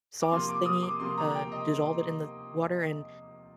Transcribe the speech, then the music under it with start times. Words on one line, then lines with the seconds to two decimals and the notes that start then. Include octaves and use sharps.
sauce thingy, uh, dissolve it in the water, and
0.22 D6
0.31 C3 F3 A#3 C6
0.48 D6
0.66 D#6
0.83 D6
1.00 C3 F3 A#3 C6
1.18 A#5
1.35 G5
1.52 D#5